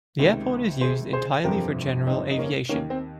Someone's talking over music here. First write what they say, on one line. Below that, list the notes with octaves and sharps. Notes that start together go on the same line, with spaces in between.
The airport is used entirely for general aviation.
C#2 C3 D#3
G#4 C5
G#4 C5
G1 F2 C3 F3 G4 A#4
C4 D#4
D#4
A#3 C#4
D#3 A#3 C#4
D#2
C4